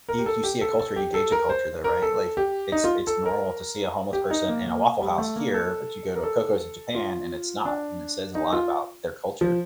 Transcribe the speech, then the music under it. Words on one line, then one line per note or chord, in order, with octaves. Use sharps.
you you see a culture, you gauge a culture there, right? Like, it's it's normal to see a homeless person in a Waffle House here, but you go to a Coco's in Japan and it's not, and it says a lot about their culture.
A#4
G4
A4
G4
A4
A4
G4
A4
A#4
C5
A#4
A4
G4
D#4
F4
A4
A#4
G4
D#4
A#3
A#3
G3
A3
A#3
A4
A#4
A4
F4
D4
D#4
F4
F3